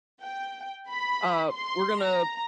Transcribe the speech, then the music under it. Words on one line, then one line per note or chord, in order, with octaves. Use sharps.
Uh, we're gonna,
G5
B5
C6
A#5